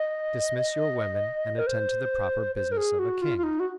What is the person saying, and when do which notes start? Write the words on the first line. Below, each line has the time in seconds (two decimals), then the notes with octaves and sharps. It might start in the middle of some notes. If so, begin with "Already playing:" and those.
"Dismiss your women and attend to the proper business of a king."
Already playing: D#5
1.59 A#4
1.67 C5
2.56 C5
2.72 A#4
2.77 G#4
2.99 F#4
3.22 F4
3.38 F4
3.43 D#4
3.60 F#4